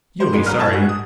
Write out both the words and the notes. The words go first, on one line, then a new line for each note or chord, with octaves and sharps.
"You'll be sorry!"
C5
G3 G#3 A#3
C2 F#3 F6
E4 G#5 A5 C#6 G#6
F#5
D#6